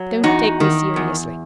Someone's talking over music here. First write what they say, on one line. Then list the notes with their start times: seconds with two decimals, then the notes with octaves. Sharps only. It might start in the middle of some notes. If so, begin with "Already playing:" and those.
Don't take me seriously.
Already playing: F#3
0.24 E2 D#4 F#4
0.60 D#3
0.96 E2